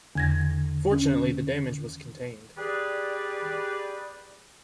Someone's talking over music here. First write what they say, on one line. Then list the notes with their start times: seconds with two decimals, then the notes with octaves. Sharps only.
Fortunately the damage was contained.
0.15 E2 D3 G#6 A#6
0.92 C#4
2.57 G4 G#4 B4 D5